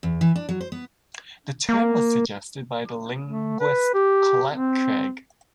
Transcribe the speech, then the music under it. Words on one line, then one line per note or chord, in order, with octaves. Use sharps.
The term was suggested by the linguist Colette Craig.
E2
E3
D4
F#3
C5
B3
A#3
A3
B4
G4
C4